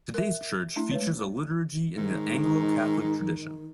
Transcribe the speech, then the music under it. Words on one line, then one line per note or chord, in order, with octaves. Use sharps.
Today's church features a liturgy in the Anglo-Catholic tradition.
A#4 E5
A3 D4 E4
G#3 B4 C#5
G#2 D#3